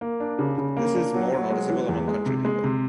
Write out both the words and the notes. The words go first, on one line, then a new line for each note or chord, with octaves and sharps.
This is more noticeable among country people.
A#3
D4
C#3
C#3
A#3
D4
F#3
F#3
G#3
E3
E2
G#3
C3
G#3
C3